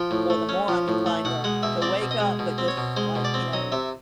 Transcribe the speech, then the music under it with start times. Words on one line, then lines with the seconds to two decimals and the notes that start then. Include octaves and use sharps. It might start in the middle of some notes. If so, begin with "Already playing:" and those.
or the more I'm inclined to to wake up, but just, like, you know,
Already playing: F3 G5
0.11 A2
0.30 A3
0.49 C#4
0.68 F3
0.88 A2
1.06 A3
1.25 B2 F#5
1.44 G#3 F#5
1.63 B2 E5
1.82 C4 D5
2.01 B2
2.11 D#5
2.20 G#3
2.39 B2
2.58 C4
2.68 C#5
2.77 B2
2.96 G#3 C5
3.15 B2
3.25 D5
3.34 C4
3.53 F#3 D#5
3.72 C3 E5